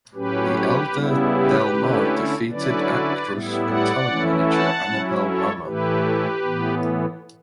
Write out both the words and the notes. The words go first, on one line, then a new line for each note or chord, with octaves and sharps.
The elder Del Mar defeated actress and talent manager Annabelle Rama.
A2 F#3 C#4 G4 B4
C#3 G3 B3 E4
G4 B4
D3 A3 C#4 E4
D3 F#3 C#4 E4 B4 D5
A2 G3 B3 E4
D5 F#5
E3 A3 C#4 E4
F#5 A5
F#3 C#4 E4
A4 C#5
A2 E3 A3 E4 G4 B4
A2 E3 B3